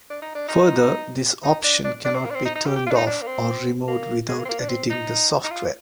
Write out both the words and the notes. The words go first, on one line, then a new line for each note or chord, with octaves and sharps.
Further, this option cannot be turned off or removed without editing the software.
D4
D#4
D4
D#4
D#4
D4
D4
D4
C4
A#3
D4
C4
D#4
D#4
G4
G4
F4
D4
D#4
D4
A#3
C4
A#3
G#3
A#3
C4
A#3
D4
C4
D#4
D#4
F4